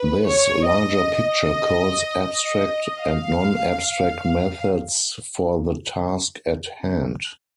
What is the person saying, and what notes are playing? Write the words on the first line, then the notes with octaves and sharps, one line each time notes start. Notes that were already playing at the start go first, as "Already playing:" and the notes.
This larger picture calls abstract and non-abstract methods for the task at hand.
Already playing: B4
C#5
D#5
D#5
D#5
F5